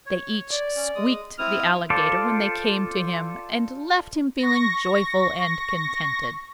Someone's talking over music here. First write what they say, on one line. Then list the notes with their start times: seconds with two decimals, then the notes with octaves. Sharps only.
They each squeaked the Alligator when they came to him, and left him feeling joyful and contented.
0.06 C#5
0.51 D5
0.76 C#4
0.95 G#3 D#6
1.38 C4 E4 D#6 F6
1.90 F4 A4 C5 D5
4.39 C#6 A#6